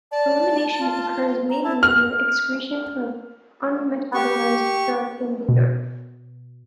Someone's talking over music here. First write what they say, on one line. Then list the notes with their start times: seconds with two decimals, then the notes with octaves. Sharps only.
Elimination occurs mainly via excretion of unmetabolized drug in the urine.
0.12 D5 A5
0.79 F4
1.50 A#5
1.64 E4 A5
1.83 F6
4.14 G4 C#6
5.49 B2